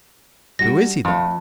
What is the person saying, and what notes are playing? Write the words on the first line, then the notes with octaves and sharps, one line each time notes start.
"Who is he, then?"
G3 D4 F#4 A#6
F2 A3 F4